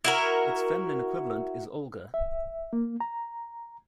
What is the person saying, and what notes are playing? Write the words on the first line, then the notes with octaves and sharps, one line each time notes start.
Its feminine equivalent is Olga.
E4 F#4 A#4
E5
A#3
A#5